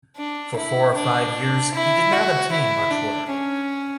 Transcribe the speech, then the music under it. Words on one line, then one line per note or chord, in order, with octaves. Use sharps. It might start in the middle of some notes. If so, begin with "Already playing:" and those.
For four or five years he did not obtain much work.
D4
E4
D4
E4
F#4
E4
D4
C#4